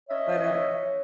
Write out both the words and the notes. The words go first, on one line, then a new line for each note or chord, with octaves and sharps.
but uh
C#4 C#5 D#5 E5